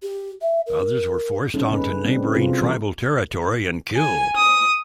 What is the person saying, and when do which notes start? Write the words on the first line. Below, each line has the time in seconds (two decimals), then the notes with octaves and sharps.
Others were forced onto neighbouring tribal territory and killed.
0.02 G4
0.42 E5
0.66 A#4
1.54 G3 C#4 D#4 A4
1.71 C#3 B3 B4
2.04 C#3 G3 B3 C4 D4
2.34 C3 C4 F4 F#4 A4
2.62 E3 F3 G3 A#4
3.95 G#5
4.36 D#6